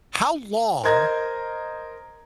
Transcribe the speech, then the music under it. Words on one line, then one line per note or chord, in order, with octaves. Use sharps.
How long
A#4 C5 D#5 G#6 A#6